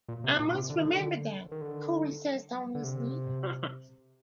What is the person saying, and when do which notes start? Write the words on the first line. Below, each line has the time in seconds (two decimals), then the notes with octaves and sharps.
"I must remember that", Corry says tonelessly.
0.08 A#2
0.24 C3
0.39 A#2
0.55 C3
0.70 D3
0.77 D#3
0.85 D3
1.52 D#3
1.61 D3
2.75 D3
2.84 C3